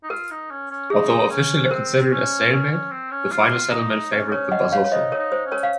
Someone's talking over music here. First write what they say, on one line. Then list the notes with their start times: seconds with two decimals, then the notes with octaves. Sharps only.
Although officially considered a stalemate, the final settlement favoured the Basotho.
0.03 D#4
0.10 F4 A#4
0.31 D#4
0.51 C#4
0.71 C#4
0.90 D#4 G#4
1.31 C#4
1.65 C5
1.70 C4 A#4
2.12 C#4
2.51 C#4 A#4
2.71 C#4
2.91 C4
3.11 C#4
3.31 F4
3.71 D#4
4.12 C#4 C5
4.32 A#4 C#5
4.52 D#5 F#5
4.72 C#5 F5
4.84 C#5
4.91 D#4 C5 D#5
5.12 A#4 C#5
5.18 D#4
5.32 C5
5.46 C#4
5.52 A#4 C#5
5.63 F5